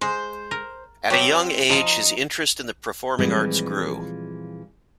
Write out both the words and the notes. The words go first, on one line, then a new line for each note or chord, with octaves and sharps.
At a young age, his interest in the performing arts grew.
G#3 C5
A#4
F#3 C4 G4 E5
F3 D#4 A5
A#2 E3 F3 G3 G#3 C4